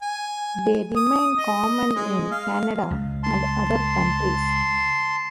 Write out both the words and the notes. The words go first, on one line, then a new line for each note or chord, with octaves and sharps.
They remain common in Canada and other countries.
G#5
D#6
D#5
G#3
F5
C#2
A5 C6